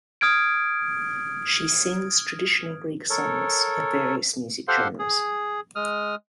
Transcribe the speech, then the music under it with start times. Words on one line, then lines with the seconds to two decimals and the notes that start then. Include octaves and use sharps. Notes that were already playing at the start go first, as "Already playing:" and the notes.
She sings traditional Greek songs of various music genres.
0.21 D#6 F6 G#6 D7
3.10 A4 A#4 C#5
4.68 G4 A4 C5 F5 F#5 C6
4.99 G#4
5.76 G#3 D#6 F6